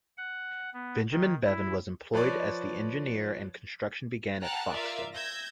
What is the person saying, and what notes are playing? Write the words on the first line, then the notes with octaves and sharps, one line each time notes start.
Benjamin Bevan was employed as the engineer and construction began at Foxton.
F#5
B3
D#3
E4
F3 B4 C#5 D5
F#5 G5 A5 A#5 F6 F#6
F4 A#4 D5 E5 F5
E6 G6 G#6 A#6